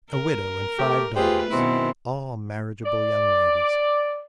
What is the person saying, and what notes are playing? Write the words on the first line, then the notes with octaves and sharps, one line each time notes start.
A widow and five daughters, all marriageable young ladies.
A#4
A3 G4
A3 F4 G4 G#4 B4 C5
F#2 B2 D#3 C4 E4
D5